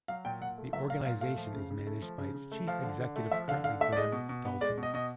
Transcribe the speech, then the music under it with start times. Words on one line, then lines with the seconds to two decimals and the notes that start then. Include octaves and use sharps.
The organisation is managed by its chief executive, currently Graham Dalton.
0.08 F#3 F5
0.25 A#2 G5
0.41 A#2 F#5
0.58 A3
0.73 F#3 E5
0.89 A#2 F5
1.05 A#2 F5
1.21 A3 F5
1.38 F3
1.54 C#3
1.71 C#3
1.86 A3
2.02 F3
2.18 C#3
2.35 C#3
2.52 A3
2.67 F3 F5
2.83 D3
3.00 D3
3.16 A3
3.32 F3 E5
3.48 D3 F5
3.64 D3 F5
3.81 A3 E5
3.93 D5
3.97 G#3 D#5
4.12 B2
4.29 B2
4.45 B3
4.61 G#3 D5
4.78 B2
4.83 D#5
4.94 B2 D#5